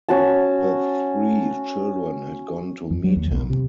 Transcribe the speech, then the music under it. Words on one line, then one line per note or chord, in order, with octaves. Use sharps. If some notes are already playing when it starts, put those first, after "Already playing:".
The three children had gone to meet him.
C#4 F#4 A5
F2
F#3
D#2
B1
C3